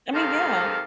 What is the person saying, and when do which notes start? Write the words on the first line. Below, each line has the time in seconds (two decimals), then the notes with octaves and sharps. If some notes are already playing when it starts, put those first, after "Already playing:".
I mean, yeah.
0.14 G#2 C3 D#3 A4 F5